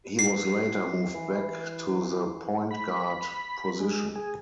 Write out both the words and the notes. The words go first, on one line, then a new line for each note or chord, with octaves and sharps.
He was later moved back to the point guard position.
C7
E3
B5
G#3
G#4